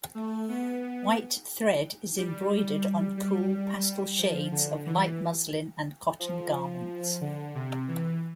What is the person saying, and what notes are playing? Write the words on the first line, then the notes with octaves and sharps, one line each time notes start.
White thread is embroidered on cool, pastel shades of light muslin and cotton garments.
A3
B3
G3
G3
F3
D3
E3
F3
D3
C3
E3